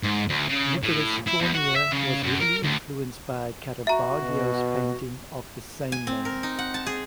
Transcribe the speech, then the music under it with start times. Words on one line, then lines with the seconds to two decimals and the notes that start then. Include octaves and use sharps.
Nicolas Tournier was heavily influenced by Caravaggio's painting of the same name.
0.03 G#2
0.29 D2
0.49 C#3
0.83 A2
1.27 E4
1.41 E2
1.55 F#4
1.76 E5
1.92 C#3
2.23 F#2
2.41 A#4
2.63 D2
3.87 F#4 E5 A#5
4.20 B2
5.92 G#5
6.07 C4
6.25 A#4
6.43 D#4
6.58 F#5
6.74 A5
6.86 G#4